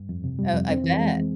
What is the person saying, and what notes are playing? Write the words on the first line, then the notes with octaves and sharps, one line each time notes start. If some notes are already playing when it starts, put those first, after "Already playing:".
Oh, I bet.
Already playing: G2
F2
C3
G3
F2
C4
E3
G#3